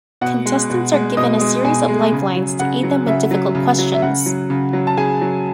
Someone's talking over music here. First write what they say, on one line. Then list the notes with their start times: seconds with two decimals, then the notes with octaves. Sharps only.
Contestants are given a series of lifelines to aid them with difficult questions.
0.21 B2 F#5
0.46 G#3
0.70 B2
0.93 G#3
1.17 B2 D#5 D#6
1.41 G#3
1.64 B2 G#4 G#5
1.88 G#3
2.12 C#3
2.36 F#3
2.59 C#3 F#5
2.83 F#3
3.06 C#3 E5
3.31 F#3
3.55 C#3
3.79 F#3
3.94 E5
4.02 C#3 F#5
4.26 F#3
4.50 C#3
4.73 F#3
4.87 A5
4.97 C#3 G#4 G#5
5.21 F#3